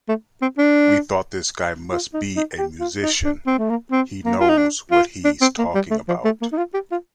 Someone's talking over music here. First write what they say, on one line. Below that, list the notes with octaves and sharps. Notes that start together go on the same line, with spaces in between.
We thought this guy must be a musician; he knows what he's talking about.
A3
C4
D4
F4
D#4
D#4
G4
F4
D#4
D4
C4
A3
A#3
C4
A#3
F4
D#4
D4
F4
D4
C4
A#3
G3
A3
F3
A3
A#3
D#4
F4
G4
F4